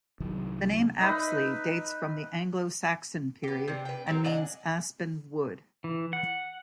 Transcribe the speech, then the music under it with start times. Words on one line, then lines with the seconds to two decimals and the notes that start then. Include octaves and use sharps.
The name Apsley dates from the Anglo-Saxon period and means "aspen wood".
0.20 C2 D#3 E3 F#3
1.01 D#4 B4 E5
3.43 B3 G4
3.68 C3 D4
3.85 B4 G5
4.07 F#3 C4 A#4
4.25 D4 D#5 F#5 G#5
5.84 E3
6.13 F#5